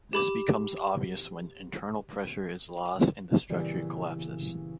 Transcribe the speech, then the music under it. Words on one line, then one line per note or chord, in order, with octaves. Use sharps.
This becomes obvious when internal pressure is lost and the structure collapses.
G4 B5 D6
A#2 C#3 E3 G3 B3